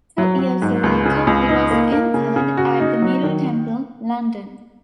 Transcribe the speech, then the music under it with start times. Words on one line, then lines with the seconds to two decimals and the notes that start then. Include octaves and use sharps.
Two years later he was entered at the Middle Temple, London.
0.18 F#3
0.39 F#3
0.62 G#2
0.83 C#2
1.05 C#3
1.27 C#2
1.49 D#4
1.71 A#3
1.92 A#3
2.14 C#3
2.36 C#3
2.57 F#4
2.80 D#4
3.02 F#3
3.23 D#3